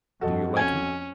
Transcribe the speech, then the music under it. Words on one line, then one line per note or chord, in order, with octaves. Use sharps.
"Do you like him?"
F2 F#4 A4 D#5
C#4 G#5